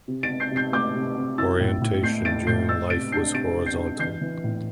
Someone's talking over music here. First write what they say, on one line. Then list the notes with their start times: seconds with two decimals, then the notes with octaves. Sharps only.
Orientation during life was horizontal.
0.08 C3
0.23 A6 D7
0.29 C3
0.40 G6 C7
0.51 C3
0.56 G6 C7
0.72 A3 D6 G6
0.95 C3
1.16 C3
1.38 E4 E6 A6
1.60 A2
1.81 A2
2.03 A3 G6 C7
2.25 A3 A6 D7
2.47 A2 G6 C7
2.69 A3 E6 A6
2.90 C3 A6 D7
3.12 D4 G6 C7
3.34 C3 A6 D7
3.56 C3
3.66 G6 C7
3.78 D4
3.99 E3 G6 C7
4.21 E3
4.44 A2